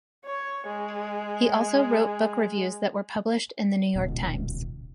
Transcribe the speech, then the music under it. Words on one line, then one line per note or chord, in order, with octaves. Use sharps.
He also wrote book reviews that were published in the New York Times.
C#5
G#3
D#1 C#2 B2